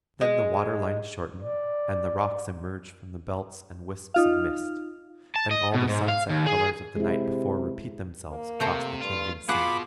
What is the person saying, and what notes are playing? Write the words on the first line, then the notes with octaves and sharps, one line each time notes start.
Then the water-lines shorten and the rocks emerge from the belts and wisps of mist; and all the sunset colours of the night before repeat themselves across the changing scene.
G#3
D5
D#4 F4 F5
A5
D#5
B2
G#2
F5
D#2
G#4
C3 G#3 E4
A#3
C3 A3 C5 A#5
G2 F4
B2 F4 G#4 F#5 B5 D6